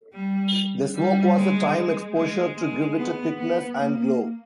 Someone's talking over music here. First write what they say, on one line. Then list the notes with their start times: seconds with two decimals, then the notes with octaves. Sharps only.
The smoke was a time exposure to give it a thickness and glow.
0.14 G3
0.95 G3
1.35 G#3
2.16 G#3
2.56 G#3
2.97 B3
3.38 B3
3.78 A#3